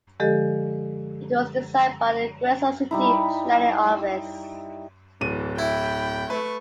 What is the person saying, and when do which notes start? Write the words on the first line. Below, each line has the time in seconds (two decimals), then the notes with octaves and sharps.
It was designed by the Quezon City Planning Office.
0.20 D3 F3 G#3 G4 A4 D#5
2.91 G3 D#4 E4
5.21 D1 E3 D#7
5.59 E4 G5 B5
6.30 A3 B4 C#6